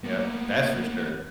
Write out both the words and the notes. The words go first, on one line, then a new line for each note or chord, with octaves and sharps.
Yep, that's for sure.
A#3 B3